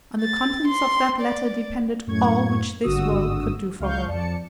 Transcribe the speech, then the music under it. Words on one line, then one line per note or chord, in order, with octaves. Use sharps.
On the contents of that letter depended all which this world could do for her.
A6
C6
D5
F#2 A2 C#6 G#6
G#1 G2 D3 F#4 D#6 E6
C#2 F5 C#6 G6
F2 D5 A5 C#7